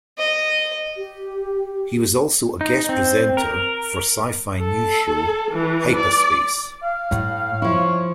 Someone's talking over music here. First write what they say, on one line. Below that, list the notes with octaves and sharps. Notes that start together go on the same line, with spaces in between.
He was also a guest presenter for sci-fi news show "HypaSpace".
D#5
G4
D#4
C4
A#4
A4
E3
D5
F5
A2
F3 E4 C#5